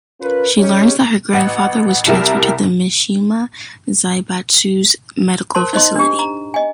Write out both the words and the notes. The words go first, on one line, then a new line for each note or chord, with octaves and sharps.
She learns that her grandfather was transferred to the Mishima Zaibatsu's medical facility.
C#4 F4 A#4 B4
C#4 D#4 G4 G#4 C#5
A1 F#5
C2 G3 E4 G4 A#4 E7
A#4 C5 A5 C6
D#4 C5 D#5 C6
D4 G4
A#5
D#5 G#5